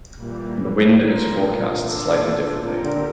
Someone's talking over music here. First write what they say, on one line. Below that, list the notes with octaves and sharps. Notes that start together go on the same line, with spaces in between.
The wind is forecast slightly differently.
A#2 E3 G3 A#3
A#2 D3 F3 C4 F4 A#4
A#3 D4 F4 A4
A#2 C4 G4 A#4
D3